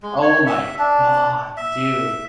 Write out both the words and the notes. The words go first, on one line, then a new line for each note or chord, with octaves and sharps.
oh, my god, dude.
G#3
C#5
E5
D4
E5